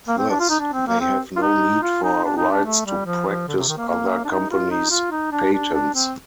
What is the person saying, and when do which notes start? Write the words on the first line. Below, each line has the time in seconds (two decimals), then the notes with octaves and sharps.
Thus, they have no need for rights to practice other companies' patents.
0.08 A#3
0.18 C4
0.29 D4
0.39 F4
0.50 D#4
0.59 D4
0.73 C4
0.87 A#3
1.01 C4
1.36 F4
1.42 D#4
1.82 F4
2.04 D#4
2.24 D4
2.37 D#4
2.51 D4
2.65 A3
2.86 G3
3.06 F3
3.27 F3
3.48 D3
3.57 C3
3.68 D#3
3.78 A#3
3.88 A#3
4.25 D4
4.29 D#4
4.50 F4
4.70 D#4
4.91 F4
5.11 D#4
5.32 D4
5.53 D4
5.74 D4
5.94 C4